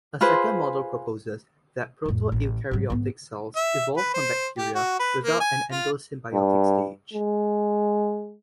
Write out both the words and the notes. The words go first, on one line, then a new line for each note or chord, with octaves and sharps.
A second model proposes that proto-eukaryotic cells evolved from bacteria without an endosymbiotic stage.
F4 G#4 B4 C5
F2 A2
A1
G#2 F#3
G#1 B3
E5
B4
C5
G4
F#4
B4
A#3
G#5
F4
G2
G#3